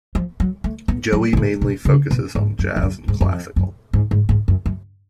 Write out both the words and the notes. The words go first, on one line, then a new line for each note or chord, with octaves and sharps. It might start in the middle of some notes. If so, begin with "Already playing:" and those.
Joey mainly focuses on jazz and classical.
F3
F#3
A3
B3
F#3
B2
A2
B2
C#3
B2
G#2
F#2
F2
F#2
G#2
F#2
F2
F#2
G#2
G#2
G#2
F#2
F#2